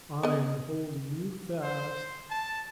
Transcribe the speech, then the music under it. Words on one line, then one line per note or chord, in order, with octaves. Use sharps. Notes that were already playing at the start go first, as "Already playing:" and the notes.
"I am holding you fast!"
B3 D#5
C5
A5